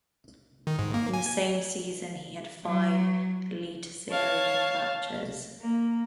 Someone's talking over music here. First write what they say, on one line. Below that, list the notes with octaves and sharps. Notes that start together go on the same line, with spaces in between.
In the same season he had five Eliteserien matches.
D#3
G#2
A#3
G#5
F#3
C#5 F5 A5
A#3